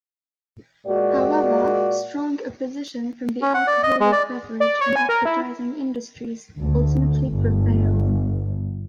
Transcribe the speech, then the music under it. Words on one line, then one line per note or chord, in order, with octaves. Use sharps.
However, strong opposition from the alcoholic beverage and advertising industries ultimately prevailed.
A#2 G#3 F#4 D5
C#4
F#5
D5
D#5
G#3
D5
D5
C#5
G#5
A#4
E4
D2
G1